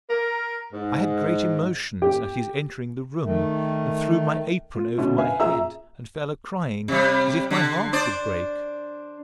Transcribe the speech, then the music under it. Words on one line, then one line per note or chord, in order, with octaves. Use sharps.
I had great emotions at his entering the room, and threw my apron over my head, and fell a crying, as if my heart would break.
A#4
G#2
G4
D#3 A3
F4
B2 D3 C#4 E4
B4 E5 F5 G#5
A#2 G#4 E5 A#5 E6
C3 G3
D3
D4 C5 D5